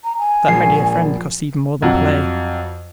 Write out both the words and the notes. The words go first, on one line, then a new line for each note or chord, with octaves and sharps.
That, my dear friend, costs even more than play.
A#5
G#5
A#1 G#3 C7
F2 F#3 F#5